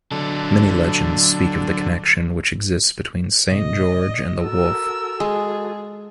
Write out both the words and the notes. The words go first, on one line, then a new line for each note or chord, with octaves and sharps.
Many legends speak of the connection which exists between St. George and the wolf.
D3 F#3 A4
A2 C3 D#5
D5
F#4 A4 A#4 E6
G#3 G#4